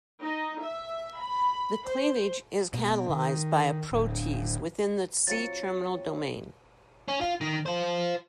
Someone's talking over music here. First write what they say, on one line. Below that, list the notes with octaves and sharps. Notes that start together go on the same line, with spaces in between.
The cleavage is catalysed by a protease within the C-terminal domain.
D#4
E5
B5
C5
B2
D#3
D1
F#3 C4 F4 A6 C#7
C#4
F4
D#3
F4 C5